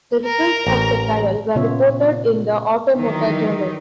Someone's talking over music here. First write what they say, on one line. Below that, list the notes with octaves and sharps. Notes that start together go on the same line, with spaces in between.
The results of the trial were reported in The Automotor Journal.
A#4 A#5
A1
A#2 C#3 B3 F4 C#5 E5
D#3 E3 F#3 D#4